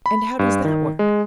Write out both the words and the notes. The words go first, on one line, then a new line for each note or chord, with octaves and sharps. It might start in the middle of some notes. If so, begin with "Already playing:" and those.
"And how does that work?"
B5
G2
D#3
G#3